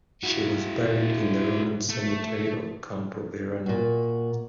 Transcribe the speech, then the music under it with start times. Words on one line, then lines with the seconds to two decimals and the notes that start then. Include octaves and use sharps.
She was buried in the Roman cemetery of Campo Verano.
0.23 E4 F#4
1.89 A3
3.66 A#2 F#4